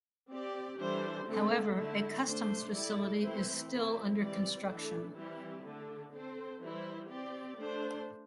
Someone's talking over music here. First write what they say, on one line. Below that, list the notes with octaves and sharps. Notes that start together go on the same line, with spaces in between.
However, a customs facility is still under construction.
C4 G4 D5
E3 G3 D4 A4 C5
D3 A3 C4 A4
D3 A3 E4
A3 D4 C5
G3 E4 A4 D5
E3 A3 C4 E4 C5
A3 C4 E4 C5
E3 G3 C4 G4 D5
E3 A3 D4 A4
E3 G3 C4 E4 G4
D3 A3 D4 A4
C4 A4 C5
E3 G3 E4 C5
C4 G4 D5
A3 D4 C5